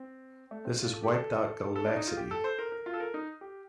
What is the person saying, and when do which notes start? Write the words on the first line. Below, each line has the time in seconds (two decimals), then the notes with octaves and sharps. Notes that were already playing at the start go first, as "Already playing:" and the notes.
This has wiped out Galaxity.
Already playing: C4
0.51 A3
0.65 C4
0.79 F4
0.93 A4
1.03 G4
1.14 A4
1.76 A4
1.86 D4
1.97 D#4
2.07 F4
2.17 G4
2.31 A4
2.44 C5
2.59 A#4
2.72 A#4
2.86 F4
2.94 A4
3.00 A#4
3.14 D#4
3.41 G4